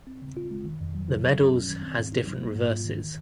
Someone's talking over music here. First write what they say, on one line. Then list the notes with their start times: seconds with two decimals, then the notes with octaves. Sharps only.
The medals has different reverses.
0.07 C4
0.22 C#3
0.37 F4
0.51 G#3
0.66 D#3
0.81 F2
0.95 F#3
1.10 C3
1.24 F#3
1.39 F#2
1.54 C#4
1.68 D#3
1.83 C4
1.97 G#2
2.12 D#4
2.27 F#3
2.41 A#3
2.56 G#2
2.71 F4
2.85 D#3
3.00 D#3